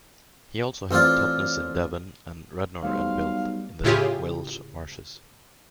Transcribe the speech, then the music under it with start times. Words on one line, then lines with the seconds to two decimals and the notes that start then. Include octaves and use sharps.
He also held Totnes in Devon and Radnor and Builth in the Welsh Marches.
0.91 A1 C4 D4 F4 D5
2.83 B1 G3 A3 C5 F5
3.84 A2 C#3 E4 F4 G4 G#4